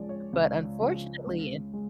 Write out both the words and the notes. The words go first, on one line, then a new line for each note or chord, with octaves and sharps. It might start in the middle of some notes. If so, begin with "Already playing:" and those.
but unfortunately in
Already playing: C#2 C#3 F3 G#3 D5
C#5
C#2
C#3 F3 G#3
C#2
G#3